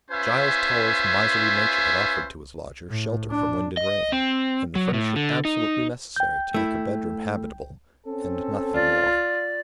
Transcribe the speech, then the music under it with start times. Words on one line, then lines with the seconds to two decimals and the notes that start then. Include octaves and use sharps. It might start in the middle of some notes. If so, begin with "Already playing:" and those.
Giles Toller's miserly nature had offered to his lodger shelter from wind and rain, and the furniture absolutely necessary to make a bedroom habitable--and nothing more.
0.11 C#4 F4 B4 C5 E5 G#5
2.90 A2
3.30 D4
3.77 D#5
4.12 C4
4.76 F#3
4.94 A2
5.16 D3
5.45 D#4
6.16 G5 G6
6.54 A3 E4
8.07 C4 C#4 A4
8.74 F4 D5